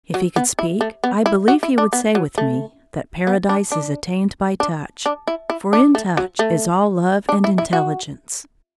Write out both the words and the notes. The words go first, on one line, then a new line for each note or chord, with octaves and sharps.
If he could speak, I believe he would say with me that paradise is attained by touch; for in touch is all love and intelligence.
F#3
B3
E4
A3
B3
E4
F#4
E4
D4
B3
F#3
A3
B3
D4
D4
D4
D4
E4
E4
D4
A3
F#3
A3
D4
E4
E4
F#4